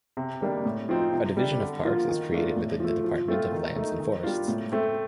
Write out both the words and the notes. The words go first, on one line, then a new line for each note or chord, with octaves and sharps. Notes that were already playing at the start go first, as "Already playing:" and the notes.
A Division of Parks is created within the Department of Lands and Forests.
C3
D#3 G3 A#3 D4
A2
F3 C4 D#4
C3
G3 D4
D3
F3 A#3 F4
D#3
A3 D4 F4
A2
F3 A3
F3
A3 C4 F4
D#3
A3 D#4
D#3
G3 D4 F4
A2
A3 C4